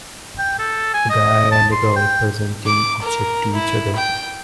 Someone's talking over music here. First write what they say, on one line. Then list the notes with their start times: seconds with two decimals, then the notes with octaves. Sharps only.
A guy and a girl presenting object to each other.
0.38 G5
0.59 A4
0.94 G#5
1.10 D#5
1.51 A5
1.72 C6
1.96 G5
2.65 D6
3.02 A#4
3.53 E4
3.95 G5